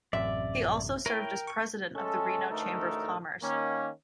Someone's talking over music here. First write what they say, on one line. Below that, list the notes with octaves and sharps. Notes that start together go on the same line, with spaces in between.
He also served as president of the Reno Chamber of Commerce.
A1 F#2 C3 D5 E5
E4 A#4 C#5 G5
C#6
G#3 A3 C#4 A4
A1 D2 A3 D#4 A4 A#4
D#3 A#3 C#4